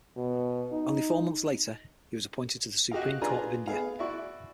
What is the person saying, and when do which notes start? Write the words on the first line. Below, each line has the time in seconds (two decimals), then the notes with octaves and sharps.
Only four months later, he was appointed to the Supreme Court of India.
0.17 B2
0.72 D#4
2.92 F#4 G4 D#5 F5
3.21 D4 F4 G#4 B4 G#5 A#5
3.67 B3 G#4 F5
3.99 E4 F#4 D5 C#6